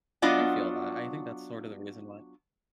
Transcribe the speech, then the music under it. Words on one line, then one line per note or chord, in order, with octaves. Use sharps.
I feel that. I think that's sorta the reason why
F#3 B3 D4 F4 D5 D#5